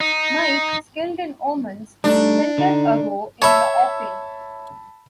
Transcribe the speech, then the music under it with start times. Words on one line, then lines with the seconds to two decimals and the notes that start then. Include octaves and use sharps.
Mike, skilled in omens, scented a row in the offing.
0.01 D#4
2.04 G3 A3 D4 D#4
2.58 D3 D#4
3.42 C#5 E5 A5 B5 E6